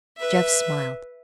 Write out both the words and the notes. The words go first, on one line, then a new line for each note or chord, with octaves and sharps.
Jeff smiled.
B4 E5